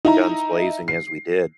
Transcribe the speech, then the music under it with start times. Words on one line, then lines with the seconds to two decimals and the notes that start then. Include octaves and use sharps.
guns blazing as we did,
0.05 D#4 E4 A#5
0.88 C7